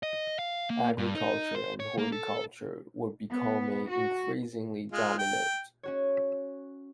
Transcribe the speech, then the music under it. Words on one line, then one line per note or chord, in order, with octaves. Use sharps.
Agriculture and horticulture were becoming increasingly dominant.
D#5
F5
A#3
G2
D#4
C5
C#5
A#3
A4
B3
F#4
G#3 F4
G5
C#4 F#4 C#5